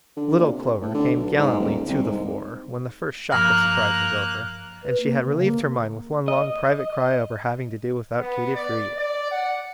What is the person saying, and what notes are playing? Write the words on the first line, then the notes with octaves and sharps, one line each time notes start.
"Little Clover" came gallantly "to the fore" when the first shock of surprise was over, and she had relieved her mind with one long private cry over having to do without Katy for a year.
D3
A#2
C3
A2
D3
B1
G#2
D#1
C2
G#2
G2 F3 A#3 A#5 F6 F#6
B4
A#3
C#3
A#3
D#5
B3
D5
D5
F#5